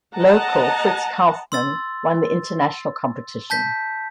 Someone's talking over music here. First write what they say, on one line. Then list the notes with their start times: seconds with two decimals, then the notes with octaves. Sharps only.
Local Fritz Kaufmann won the international competition.
0.16 D#5 F#5 A5 A#5
1.52 C6 E6 A6
3.50 A5 G6 B6